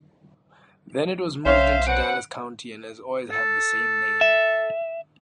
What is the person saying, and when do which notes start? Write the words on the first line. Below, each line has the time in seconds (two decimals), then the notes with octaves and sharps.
Then it was moved into Dallas County and has always had the same name.
1.45 B1 C#4 C5 C#5 E5 F5
1.87 C#4 B4 C5 F#5 D7
3.32 A4
4.21 E5